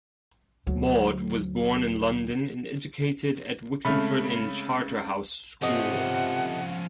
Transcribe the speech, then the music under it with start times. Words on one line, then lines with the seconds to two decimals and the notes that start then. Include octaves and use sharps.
Maude was born in London and educated at Wixenford and Charterhouse School.
0.67 D2 F#3
3.85 C#3 G#3 A3 C4 C#4 B5 F6
5.62 C3 F3 A3 C#4 D#5 F#5